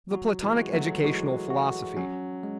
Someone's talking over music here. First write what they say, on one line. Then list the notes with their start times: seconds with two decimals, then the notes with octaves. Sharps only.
The Platonic Educational Philosophy.
0.11 F#3 F#4
0.42 E3 G#3
0.57 F#4
0.73 F#3 A3
1.04 E3 G#3 F#4
1.50 F#4
1.97 F#3 C#4
2.43 G#3